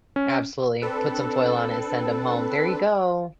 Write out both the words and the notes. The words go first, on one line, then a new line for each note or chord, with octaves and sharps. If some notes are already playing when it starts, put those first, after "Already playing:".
Absolutely. Put some foil on it and send them home. There you go.
C#4
C4 D4 A4 B4